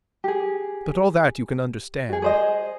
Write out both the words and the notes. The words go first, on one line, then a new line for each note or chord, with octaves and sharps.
But all that you can understand.
G4 G#4
F#4 G#4
G#4 C5 D#5